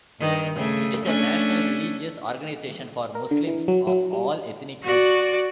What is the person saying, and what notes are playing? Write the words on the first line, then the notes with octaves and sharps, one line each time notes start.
It is a national religious organization for Muslims of all ethnic groups.
G2 D#3
C#3 A3
A3 C#4 D4
A#4
D3
E3
F#3
F#3
G3
F#4 D5